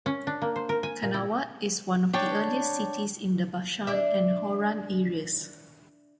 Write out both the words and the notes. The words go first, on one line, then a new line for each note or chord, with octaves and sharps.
Qanawat is one of the earliest cities in the Bashan and Hauran areas.
C#4
D4
A#3
C5
A#4
G#5
A#2
E4
D4 C#5 G5 A5
D4 E5